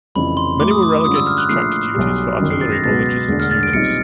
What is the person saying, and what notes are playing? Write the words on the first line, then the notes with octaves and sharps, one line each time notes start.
Many were relegated to tractor duties for artillery or logistics units.
F1 F2 C#3 E3 B5
C6
A2 F#3 A3 D6
D#6
D6
D6
G2 D3 F3 G#3 C#4 D#6
E6
F6
F#6
A#1 A2 F3 A3 C7
B1 B2 G3
G1 F#2 D#3
C7
A6
A#6
C#2 B2 F#3 B3 A6
A6
E1 D2 D3
F6
A6
D7
B1 A#2 G3 C4 D#4 C#7